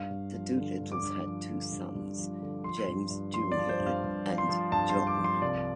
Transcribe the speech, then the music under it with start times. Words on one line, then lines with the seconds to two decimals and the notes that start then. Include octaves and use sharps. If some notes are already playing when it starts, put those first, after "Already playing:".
The Doolittles had two sons, James Junior and John.
Already playing: G2 F5
0.11 G2
0.33 F3
0.57 D3
0.80 G2
0.92 D6
1.02 G2
1.26 F3
1.50 D3
1.72 G2
1.95 G2
2.18 F3
2.42 D3
2.64 F3 C6
2.88 G2
3.10 G2
3.34 F3 C6
3.52 D5
3.57 F3
3.69 C5
3.80 G2
3.86 F5
4.04 G2
4.27 F3
4.38 C6
4.49 F3
4.72 G2 A5
4.89 C6
4.96 G2
5.07 D6
5.19 F3
5.24 C6
5.42 C2 D5